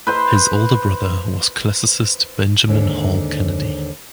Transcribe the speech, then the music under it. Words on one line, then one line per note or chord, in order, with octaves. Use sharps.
His older brother was classicist Benjamin Hall Kennedy.
B4 C5 C6
D#2 G#2 D3